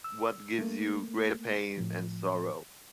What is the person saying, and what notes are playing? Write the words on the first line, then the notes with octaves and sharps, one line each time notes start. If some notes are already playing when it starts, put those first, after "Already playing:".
What gives you greater pain and sorrow?
E6
A3 A#3
A2 F3